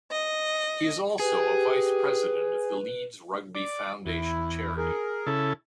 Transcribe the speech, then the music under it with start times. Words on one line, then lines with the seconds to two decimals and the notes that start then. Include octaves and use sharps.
He is also a Vice President of the Leeds Rugby Foundation charity.
0.12 D#5
1.19 G4 G#4 B4
3.55 D5
4.06 E2 E4
4.77 G#4 A#4
5.27 C#3 E4 A4